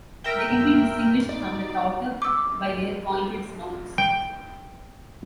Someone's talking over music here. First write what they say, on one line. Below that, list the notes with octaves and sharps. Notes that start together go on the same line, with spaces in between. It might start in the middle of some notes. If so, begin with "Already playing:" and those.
They can be distinguished from the tautog by their pointed snouts.
A#4 E5 G5
D#4 D5
D6 E6
G5